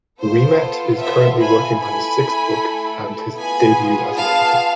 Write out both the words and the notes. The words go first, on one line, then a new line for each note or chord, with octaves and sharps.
Ouimet is currently working on his sixth book, and his debut as an author.
B3 F4 A4 C5
C5 E5
G#5 B5
A3 E4 A4 G#5 B5
B3 F4 G#4 G#5 B5
F5 A5